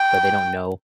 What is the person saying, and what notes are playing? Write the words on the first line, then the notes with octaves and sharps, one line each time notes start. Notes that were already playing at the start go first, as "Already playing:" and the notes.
but they don't know,
Already playing: G5